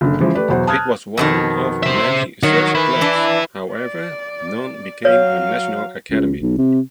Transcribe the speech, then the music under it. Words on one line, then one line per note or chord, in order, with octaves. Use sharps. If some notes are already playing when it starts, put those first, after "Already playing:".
It was one of many such clubs; however, none became a national academy.
F#1 D3
C#3 E3 F3 G#3
A3 G4 B4 D5
E2 B2 F#3 C5 F#5
A5 D#6 F6 F#6 G#6
F2 B2 D#3
C5 E5
D#3 F#4 C#5
E4 B4
E3 D4
D5
F#3 C#5 F5
C#2
B1
C3